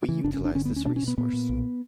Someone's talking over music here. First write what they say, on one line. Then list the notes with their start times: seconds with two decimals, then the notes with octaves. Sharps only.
We utilize this resource.
0.09 C#3 E3
0.24 G1 D4
0.34 C#4
0.39 G1
0.45 D4
0.55 D3 C#4
0.65 B3
0.71 D2
0.76 C#4
0.86 B2 D4
0.96 C#4
1.03 B2
1.08 B3
1.18 A#2 B3
1.33 A#2
1.49 B1